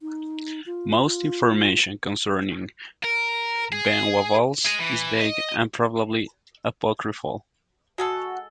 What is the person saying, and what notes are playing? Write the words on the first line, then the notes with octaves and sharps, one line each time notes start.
Most information concerning Ben Wa balls is vague and probably apocryphal.
D#4
F4
F4
A#4
G#4
G#4 D#5
E3
D#5
G#3 F#4 G#4 A4